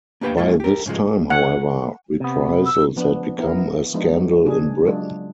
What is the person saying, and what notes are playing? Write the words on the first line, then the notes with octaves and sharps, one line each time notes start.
By this time, however, reprisals had become a scandal in Britain.
A#3 D4 G4 B4 F5 G5
G#3 A#3 E4 A4
G4 A#4
G#2 C#3 F3 G#3
F#5
C3 B3
E6
F3 B3 D4
B3 E4 A#4
F3 G#3 B3 D4 D#4
C#3 A#3 D4 G#4
F#3 G#3 D4 F4